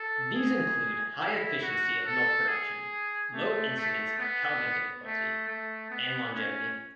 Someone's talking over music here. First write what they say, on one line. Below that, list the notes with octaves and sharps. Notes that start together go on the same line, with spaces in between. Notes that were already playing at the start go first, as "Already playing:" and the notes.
These include high efficiency of milk production, low incidence of calving difficulty and longevity.
Already playing: A4
G#4
E4
F#4
A4
G#4
A3
A3
B3
A3
A3
B3
C#4